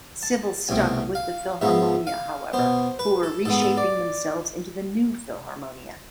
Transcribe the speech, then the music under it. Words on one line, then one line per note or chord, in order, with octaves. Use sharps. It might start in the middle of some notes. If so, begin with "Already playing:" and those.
Civil stuck with the Philharmonia however, who were reshaping themselves into the New Philharmonia.
A5
C2 B2 A3 C4 G#5
F5
G#2 F3 G#3 B3 E5
F5
B2 B3 C5
B4
A4
G#2 G#3 B3 A4
A4
D5